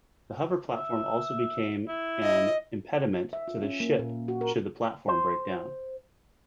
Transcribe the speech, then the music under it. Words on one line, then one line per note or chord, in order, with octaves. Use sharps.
The hover platform also became an impediment to the ship should the platform breakdown.
E5
E4
D#5
E5
F4
C#4
A#3
A#2
F#4
A#4
C5